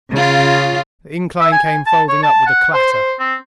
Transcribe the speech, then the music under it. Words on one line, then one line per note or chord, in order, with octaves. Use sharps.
The incline came folding up with a clatter.
C#3 F4
E5
G#5
G#5
A5
C#5
A5
F#5
C5
C5
C4